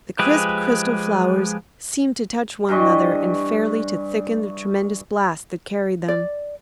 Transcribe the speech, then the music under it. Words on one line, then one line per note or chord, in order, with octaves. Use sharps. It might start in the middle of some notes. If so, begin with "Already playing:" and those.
The crisp crystal flowers seemed to touch one another and fairly to thicken the tremendous blast that carried them.
F3 G#3 G4 G#4 B4
G2 E3 D#5 C#6
D5